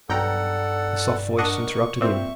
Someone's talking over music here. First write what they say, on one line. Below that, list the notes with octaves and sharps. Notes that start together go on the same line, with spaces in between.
The soft voice interrupted him.
B1 G2 A4 D5 F#5 G5 A#5
D4 A#4 D#5 F#5 C#6
A#2 C4 E5